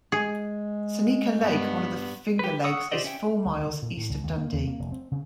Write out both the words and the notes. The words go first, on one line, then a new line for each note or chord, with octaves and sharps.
Seneca Lake, one of the Finger Lakes is four miles east of Dundee.
G#3 G#4
G2 B3
G4 B4
F#5 C#6 D#6 E6
F4 G4 C5 D5 D#5
C#4 E5 G5
D2
D3
A#2
A2
C#2
D#2
A#3
D#2
A#3
F1
C4
C#3